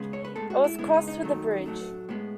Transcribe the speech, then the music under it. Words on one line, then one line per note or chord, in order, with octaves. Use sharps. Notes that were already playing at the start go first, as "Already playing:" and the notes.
It was crossed with a bridge.
Already playing: C#3 G#3 B3
C#5
B4
A2 G#3 B3 A4
F#4
E4
C#3 G#3 B3 E4
D#4
D#4
D#3 F#3 A3
A2 F#3 A3
A2 G#3 B3